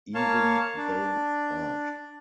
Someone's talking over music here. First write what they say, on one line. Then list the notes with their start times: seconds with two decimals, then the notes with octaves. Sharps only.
Even though Art.
0.15 A#3 C#5 F5 A5
0.77 D4